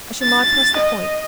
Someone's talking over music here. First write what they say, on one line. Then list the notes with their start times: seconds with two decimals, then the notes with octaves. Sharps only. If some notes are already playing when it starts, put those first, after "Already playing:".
I shall not press the point.
0.23 A6
0.77 D#5